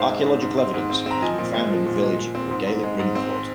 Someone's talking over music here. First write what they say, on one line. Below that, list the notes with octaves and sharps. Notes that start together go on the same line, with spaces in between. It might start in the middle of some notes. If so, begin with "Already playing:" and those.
Archaeological evidence has been found in the village of a Gaelic ringfort.
Already playing: G#2 C5 F5
G#3
G#2
G#2
C4
G#2
C4
C4 A#5
F3 D#5 G#5
A#2
G#3
F3
A#2
G#3
G#3
C4
G#2
G#2
G#3
G#2
C4